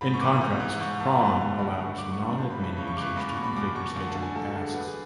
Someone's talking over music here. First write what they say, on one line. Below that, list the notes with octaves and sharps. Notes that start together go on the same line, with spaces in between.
In contrast, cron allows non-admin users to configure scheduled tasks.
G#2 B5
C#6
E3 D6
G#2
E3
G#2 C#6
E3 A5
B5
G#2
A5
E3
D2 B5
B5
D3 C#6
D2 D6
C#6
D3
C#6
C#2 A5
B5
C#3 E3
B5
C#2 C#6
C#6
C#3 E3 D6
C#6
E2 B5
C#6
B2
B5
E2 D6
B2 C#6
D2 C#6
A5
D3
G#5
D2 A4
F#4
D3
G#4
E2 B4
G#4